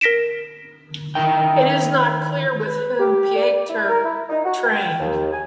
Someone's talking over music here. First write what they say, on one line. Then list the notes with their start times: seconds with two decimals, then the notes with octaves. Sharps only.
It is not clear with whom Pieter trained.
0.01 A#4 A#6 B6 D7 E7
1.15 D#3 D#4 E4 A#4 G5
2.66 B4
2.99 G4
3.35 D5
3.69 E4
3.89 A#4
4.04 E4
4.30 D#4
4.45 F#4
4.66 G5
4.99 D#2
5.32 G#5